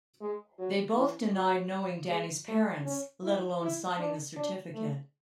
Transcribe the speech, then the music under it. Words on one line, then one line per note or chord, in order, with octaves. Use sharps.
They both denied knowing Danny's parents, let alone signing the certificate.
G#3
F#3
E3
F#3
G#3
A3
C#4
E4
E4
D4
D4
A3